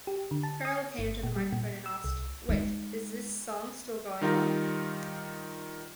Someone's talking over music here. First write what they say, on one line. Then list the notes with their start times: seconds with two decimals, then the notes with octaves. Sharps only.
Ferrell came to the microphone and asked, Wait, is this song still going on?
0.07 G4
0.31 D3
0.43 A5
0.65 D#6
0.99 G1
1.23 A#2
1.36 G3
1.52 A#2
1.86 E6
2.04 C2
2.49 G#3 D#4
4.21 D#3 G3 D#4 F4 A#4